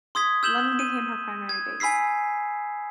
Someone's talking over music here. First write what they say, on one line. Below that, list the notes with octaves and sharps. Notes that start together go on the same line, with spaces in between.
London became her primary base.
C6 D#6 G#6 B6
E6 G6 E7 F#7 G7
D#7
G#6
G#5 B5 E6 B6 C7